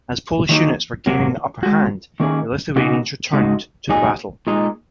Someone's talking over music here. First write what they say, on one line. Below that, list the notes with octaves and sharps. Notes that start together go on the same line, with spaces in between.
As Polish units were gaining the upper hand, the Lithuanians returned to the battle.
D#3 F#3 A#3 D#4 F#4
F#3 A#3 F#4
G#3 F#4
D#3 A#3 C#4 G#4
C#3 A#3 D#4 F#4
C#3 G#3 D#4 F#4
A#2 F#3 D#4 G#4
A#2 G#3 D#4